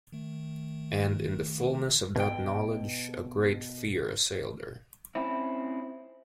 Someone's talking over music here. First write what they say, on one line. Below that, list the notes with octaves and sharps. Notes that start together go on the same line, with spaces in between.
And in the fullness of that knowledge a great fear assailed her.
D#3 A3
B2 G5
C4 C#4 E4